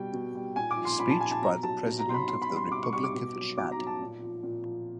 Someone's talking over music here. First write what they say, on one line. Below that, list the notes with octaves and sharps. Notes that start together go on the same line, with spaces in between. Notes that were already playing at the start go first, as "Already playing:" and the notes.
Speech by the President of the Republic of Chad.
Already playing: B2 G3 G5
B2
G3
A#2 G#5
D6
F3
C6
A#2 B5
A5
F3 G#5
A5
B2 A#5
F#3 A5
B2
A#5
F#3 C6
B5
B2 C6
B5
G3
C6
B2 D6
C#6
G3 C#6
D6
B2
F#3
B2 D6
A#5
F#3
A5
A#2
F3
A#2
F3